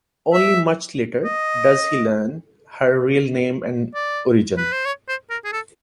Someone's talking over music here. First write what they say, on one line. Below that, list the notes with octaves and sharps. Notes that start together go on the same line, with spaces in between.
Only much later does he learn her real name and origin.
E5
D#5
D5
B4
C5
C#5
C5
A#4
G#4
A4